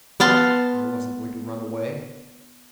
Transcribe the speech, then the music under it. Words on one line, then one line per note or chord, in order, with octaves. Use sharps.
I wasn't going to run away.
B3 F5 A5 C6